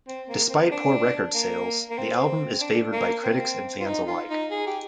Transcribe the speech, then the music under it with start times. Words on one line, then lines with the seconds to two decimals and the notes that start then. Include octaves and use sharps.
Despite poor record sales, the album is favored by critics and fans alike.
0.07 C4
0.29 A#3
0.50 C4
0.71 D4
1.34 A#3
1.90 A#3
1.98 C4
2.60 D4
2.93 A#3
3.23 C4
3.80 F4
3.86 D#4
4.08 F4
4.30 D#4
4.51 G#4
4.67 G4